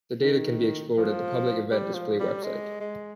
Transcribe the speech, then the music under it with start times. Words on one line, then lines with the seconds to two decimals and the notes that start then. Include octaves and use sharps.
The data can be explored at the Public Event Display web site.
0.24 D#3
0.98 F3
1.71 G3
1.95 F3
2.19 G3
2.43 G#3
2.80 G#3